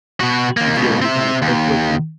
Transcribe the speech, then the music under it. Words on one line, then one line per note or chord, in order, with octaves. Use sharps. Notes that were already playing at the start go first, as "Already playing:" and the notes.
You feel like you kinda clicked with 'em?
B2 F#4
D#2 A#3
C#2 B2
C4 E5
D#2